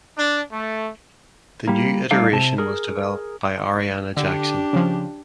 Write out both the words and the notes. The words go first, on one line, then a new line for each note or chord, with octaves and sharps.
The new iteration was developed by Ariana Jackson.
D4
A3
G3 A#3
G3 A3 D#4 A4 D5 F5
C3 A5
G#4 A#4
D3 D4 G4
C#3 F3